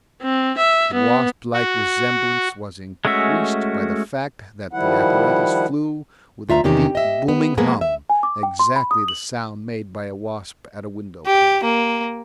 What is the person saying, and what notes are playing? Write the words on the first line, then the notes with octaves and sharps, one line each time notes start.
The wasp-like resemblance was increased by the fact that the apparatus flew with a deep booming hum, exactly the sound made by a wasp at a windowpane.
C4
E5
B3
F#4
G#3 A3 C#4 F#4 E5
D#3 F3 G3 E4 F#5
D2 F4 E5 A#5
E2 C3 D#3 C#4 G4
D#5 E5
B3
F3 G#3 A#3 B3 G#4 A#4
E5
G#5
D6
G5
C6
B5
D#6
F#7
G4
A#3